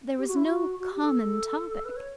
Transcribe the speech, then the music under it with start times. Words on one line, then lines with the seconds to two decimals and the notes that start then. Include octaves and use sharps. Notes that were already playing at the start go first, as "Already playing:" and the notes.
There was no common topic.
0.18 G4
0.28 F#4
0.36 E4
0.45 F#4
0.79 F#4
0.90 G4
1.01 A4
1.85 B4
1.96 C#5